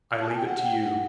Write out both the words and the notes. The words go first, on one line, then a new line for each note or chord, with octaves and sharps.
I leave it to you.
A5
G#5
G5
F#5
G5
F#5